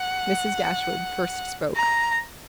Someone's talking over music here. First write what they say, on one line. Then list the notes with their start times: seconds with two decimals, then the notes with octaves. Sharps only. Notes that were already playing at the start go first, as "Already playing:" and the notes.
Mrs. Dashwood first spoke.
Already playing: F#5
1.76 A#5